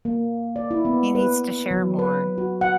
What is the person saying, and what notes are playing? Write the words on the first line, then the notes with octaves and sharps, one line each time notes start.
he needs to share more."
A#3
D5
E4
B3
B4
F#3
B4
F#4
F#5